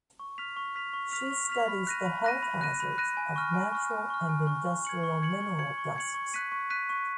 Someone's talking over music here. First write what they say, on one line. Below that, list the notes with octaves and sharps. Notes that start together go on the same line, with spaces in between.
She studies the health hazards of natural and industrial mineral dusts.
C#6
F6 B6 F7
C#6
F6 B6 F7
C#6
F6 B6 F7
C#6
F6 B6 F7
B5
F#6 A#6 D#7
B5
F#6 A#6 D#7
B5
F#6 A#6 D#7
B5
F#6 A#6 D#7
G#5
C#6 F6
G#5
C#6 F6
G#5
C#6 F6
G#5
C#6 F6
C#6
G#6 C#7 F#7
C#6
G#6 C#7 F#7
C#6
G#6 C#7 F#7
C#6
G#6 C#7 F#7
C#6
F#6 B6 D#7
C#6
F#6 B6 D#7
C#6